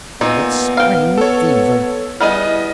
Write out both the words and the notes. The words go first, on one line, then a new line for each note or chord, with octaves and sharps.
It's spring fever.
A#2 B3 D#4
F5 G5
A4 C#5
G3 B3 E4 G#4 D#5 F6